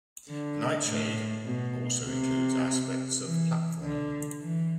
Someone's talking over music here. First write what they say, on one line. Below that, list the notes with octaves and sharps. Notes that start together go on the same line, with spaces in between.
"Nightshade" also includes aspects of platforming.
D3
A2
B2
C3
E3
D3
E3